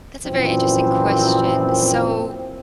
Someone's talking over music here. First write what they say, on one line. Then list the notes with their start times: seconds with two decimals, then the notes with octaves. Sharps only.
that's a very interesting question, so
0.24 F#2 A#2 E3 F3 C4